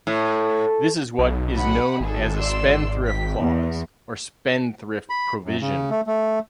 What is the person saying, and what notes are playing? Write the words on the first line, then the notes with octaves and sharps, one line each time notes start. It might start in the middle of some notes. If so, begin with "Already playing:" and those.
This is what is known as a spendthrift clause or spendthrift provision.
A2
B1
F#5 B5
G#1 G#4 A4
D5 C6 E6
G5 B6
E2
B5
F#2
C#3
A3
A3